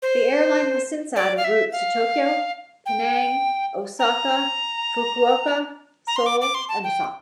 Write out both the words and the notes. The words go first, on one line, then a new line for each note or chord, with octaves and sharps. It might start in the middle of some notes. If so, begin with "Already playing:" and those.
The airline has since added routes to Tokyo, Penang, Osaka, Fukuoka, Seoul and Busan.
C5
D5
F5
E5
F5
G5
A#5
A#5
C6
D6
D6
C6
A5
G5